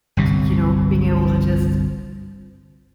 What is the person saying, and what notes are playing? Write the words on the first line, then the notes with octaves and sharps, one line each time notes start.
y you know, being able to just
G1 C2 C3